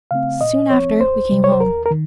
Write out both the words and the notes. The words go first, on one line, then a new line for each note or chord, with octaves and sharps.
Soon after we came home.
C#3 A3 C4 F5
A#2 D#5
F3 C4 C#5
C#2 C5
C3 F#3
C#5
C5
D#2 A#4
A#4
D#3